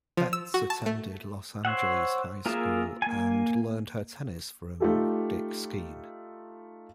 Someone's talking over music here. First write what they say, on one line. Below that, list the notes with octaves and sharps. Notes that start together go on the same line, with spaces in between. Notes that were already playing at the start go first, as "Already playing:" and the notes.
Betz attended Los Angeles High School and learned her tennis from Dick Skeen.
F3
E6
F#4
A5
A3
C5 C#5 E5 F#5
A#3 F4 G#4 A#4 E5
A#3 G#5
A3 D#4 F4 G4 A4